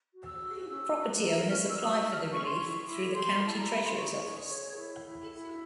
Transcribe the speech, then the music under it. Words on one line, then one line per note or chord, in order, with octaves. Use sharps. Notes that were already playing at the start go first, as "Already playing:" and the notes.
Property owners apply for the relief through the county Treasurer's office.
F#4
E6
F#4
C#4 E6
F#4
A#4
C#4 F6
E6
F#4
D#6
E6
F#4
F6
C#4 C#6
C6
E4 C#6
E4
G4 C6
E4 A5
A#5
G4 B5
C6
G#4 C#6
G#4
C#5
E4
E4
E4